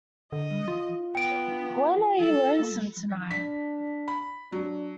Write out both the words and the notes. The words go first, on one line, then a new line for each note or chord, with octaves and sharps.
When Are You Lonesome Tonight?
D3 D#5
F4
B3 G5 D7
A4
D4 B6
B5
F#3 D4